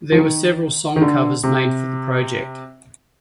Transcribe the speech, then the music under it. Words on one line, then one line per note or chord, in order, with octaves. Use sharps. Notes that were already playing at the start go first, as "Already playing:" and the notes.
There were several song covers made for the project.
F3
D#3
D#3
D3
C3